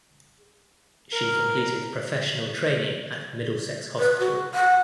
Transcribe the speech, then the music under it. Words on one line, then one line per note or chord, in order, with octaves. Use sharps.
She completed professional training at Middlesex Hospital.
A#4
B4
F#4
F#5